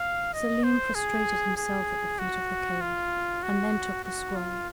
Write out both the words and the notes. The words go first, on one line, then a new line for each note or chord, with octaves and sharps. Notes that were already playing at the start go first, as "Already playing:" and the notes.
Selim prostrated himself at the feet of the Caliph, and then took the scroll.
Already playing: F5
D#5
C5
G#4
G#4
F#4
F4
F#4
F#4
F4